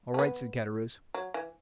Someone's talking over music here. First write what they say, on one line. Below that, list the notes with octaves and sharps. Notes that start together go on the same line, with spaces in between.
"All right!" said Caderousse.
A3
B3
F#3
E3